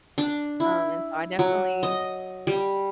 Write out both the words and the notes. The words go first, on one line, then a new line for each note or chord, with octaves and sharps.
um, and so I definitely
D4
E4
F#3
D#5
G3